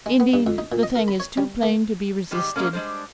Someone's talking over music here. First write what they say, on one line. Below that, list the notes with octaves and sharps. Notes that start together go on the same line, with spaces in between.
Indeed the thing is too plain to be resisted.
G#3
B3
G2
F2
D#4
A#2
D#5
A#4
B5
C#5
G3
A#3
D#3 G3 G#3 G4
E3 F#3 G#3 A#3 C#4
G3 G#3 D4 A#4 C5